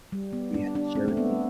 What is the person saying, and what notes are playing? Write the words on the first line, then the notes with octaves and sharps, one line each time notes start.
that we had to share with me,
G3
B3
D4
D4
C4
A3
B3